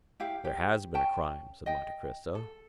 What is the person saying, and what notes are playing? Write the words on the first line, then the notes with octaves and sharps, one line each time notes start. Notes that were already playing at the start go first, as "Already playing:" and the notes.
"There has been a crime," said Monte Cristo.
E4 G4 F5
G4
C#4 G5 A5
D#5 G5
A4